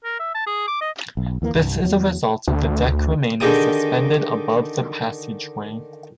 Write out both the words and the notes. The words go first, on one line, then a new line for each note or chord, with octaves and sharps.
This is a result of the deck remaining suspended above the passageway.
A#4
E5
A5
G#4
D6
D#5
B1
D#2 E3 A#3
C2 G2
E2 F#3
D2
D3 D#3 D#4 G4 G#4 D#6